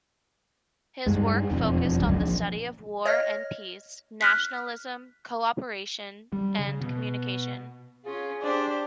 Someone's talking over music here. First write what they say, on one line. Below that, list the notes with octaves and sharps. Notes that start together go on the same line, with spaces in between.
His work focused on the study of war and peace, nationalism, co-operation and communication.
G2 G#3
E1 F2
D1 G1 C#2 F#2
A#1
C#5 D#5 F6 A#6
F6 F#6 B6
G3
C#3
B2
C#4 F4 G#4
D4 G4 C5